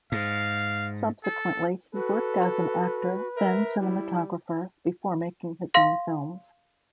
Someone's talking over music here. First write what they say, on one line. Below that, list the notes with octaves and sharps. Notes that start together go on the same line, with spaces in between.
Subsequently he worked as an actor, then cinematographer, before making his own films.
G#2 F5
A4
F#4 A4 B4
A#4 E5
G3 E4
F5 C6 A#6